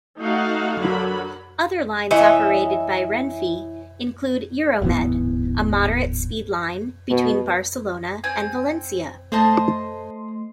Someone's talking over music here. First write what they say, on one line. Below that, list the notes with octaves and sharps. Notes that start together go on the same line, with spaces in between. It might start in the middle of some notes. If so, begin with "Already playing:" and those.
Other lines operated by Renfe include Euromed, a moderate-speed line between Barcelona and Valencia.
A3 D#4 F#4 F5 F#5
D3 F#3 A#4 B5
E3 C#5 D#5 E5
D1 G#2 E3 B3
B2
C4 G#5
A3 C5 D#5 A5 C6